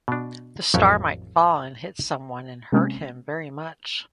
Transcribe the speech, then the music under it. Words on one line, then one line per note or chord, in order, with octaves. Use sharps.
The star might fall and hit someone and hurt him very much.
B2 D4
A1 F2 F#3 C#4 C#5 G5
C3 G#3 A#3 C4 C#4